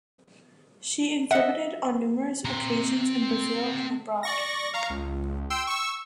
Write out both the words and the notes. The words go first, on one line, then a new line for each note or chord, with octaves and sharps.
She exhibited on numerous occasions in Brazil and abroad.
D#5 E5 F#5
C4 A#5
D5 C#6 A#6
F5 A#5 C#6
C#2
G5 C6 E6
C#6 E6